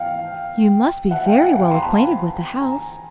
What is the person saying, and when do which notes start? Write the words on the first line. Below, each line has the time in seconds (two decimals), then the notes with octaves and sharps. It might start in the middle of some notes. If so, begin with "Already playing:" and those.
"You must be very well acquainted with the house!"
Already playing: F5 G5
1.11 E5 F#5
1.26 F5 G5
1.42 F#5 G#5
1.57 F5 G5
1.71 A#5 C6
1.81 A5 B5
2.61 G#5 A#5